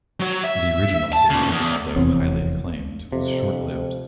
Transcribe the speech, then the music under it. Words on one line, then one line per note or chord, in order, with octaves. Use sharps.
The original series, although highly acclaimed, was short-lived.
F#3 C#5
E5
A5
A#2 C#3
E2
F1 E2 C4 C#5
F2 C3